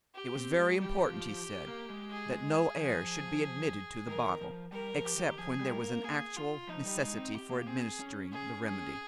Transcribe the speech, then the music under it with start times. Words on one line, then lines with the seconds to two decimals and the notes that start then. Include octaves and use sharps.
It was very important, he said, that no air should be admitted to the bottle, except when there was an actual necessity for administering the remedy.
0.15 G4
0.36 C4
0.59 G#3
0.80 G3 G4
0.97 F3
1.13 F3
1.29 F3
1.68 A#3
1.90 G#3
2.11 G#4
2.77 F3
4.07 D#3 A#4
4.15 F3
4.22 D#3
4.41 F3
4.72 G3 A#4
4.94 F3
5.06 G4
5.17 D#3
5.38 F3 G#4
5.60 G3
5.70 A#4
5.82 A#3
6.04 A#3 G#4
6.36 F4
6.68 F3 D#4
6.85 G3
7.01 G#3
7.18 C4
7.34 G4
7.51 A#3
7.67 C4 G#4
8.00 C#4
8.32 G#4
8.64 G#4